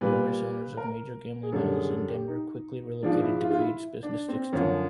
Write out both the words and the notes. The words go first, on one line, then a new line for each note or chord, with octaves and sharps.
Numerous owners of major gambling houses in Denver quickly relocated to Creede's business district.
A#2 G3 B4
A#4
G#4
F#2 D3 G3 A4
G#4
A4
G4
D#4
G#2 F3 G#3 D4
E4
F4
F4
E4
D4
C4
F#2 D3 F3 C#4